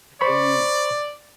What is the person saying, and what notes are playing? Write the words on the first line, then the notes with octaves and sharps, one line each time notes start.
and you
C5 D5 B5 C#6